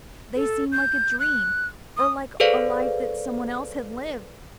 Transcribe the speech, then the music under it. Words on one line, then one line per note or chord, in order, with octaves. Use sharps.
They seemed like a dream, or like a life that some one else had lived.
A4
G6
F#6
D#6
G#4 A4 B4 C5 D5 F5